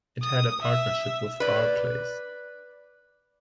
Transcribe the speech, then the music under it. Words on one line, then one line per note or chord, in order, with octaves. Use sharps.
It had a partnership with Barclays.
D#6
E5
B4 D5